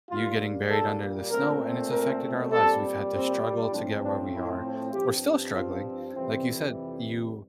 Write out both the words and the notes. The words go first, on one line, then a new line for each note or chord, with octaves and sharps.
you getting buried under the snow, and it's affected our lives, we've had to struggle to get where we are, we're still struggling, like you said, you
A#2 G3 A#3 F4
A4
A#2 A3 C4 A#4
A#4
A#2 G3 C4 A4
C4
A2 F3 A3 C4 D4
D4
E4
G2 F3 C4 G4
F4
F2 C3 E3 G3 C4